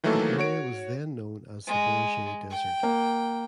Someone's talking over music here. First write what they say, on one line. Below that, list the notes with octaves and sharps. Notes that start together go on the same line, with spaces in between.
The area was then known as the Bourget Desert.
D#3 E3 F#3 A3 A#3 A4
F#4 C#5 D7
G#3
G5
A#3